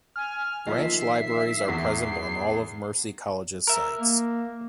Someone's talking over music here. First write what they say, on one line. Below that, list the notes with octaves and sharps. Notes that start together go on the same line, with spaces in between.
Branch libraries are present on all of Mercy College's sites.
G#5 F6
D#3 F3 A#3 E5 C7
E2 F#4
A#4 E5
A#3